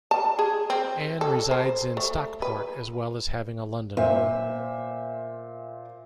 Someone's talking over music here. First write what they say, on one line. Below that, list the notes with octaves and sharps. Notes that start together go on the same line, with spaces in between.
Ann resides in Stockport as well as having a London home.
A5
G#4
C4
A4
C5
A3
B4
A#2 C5 E5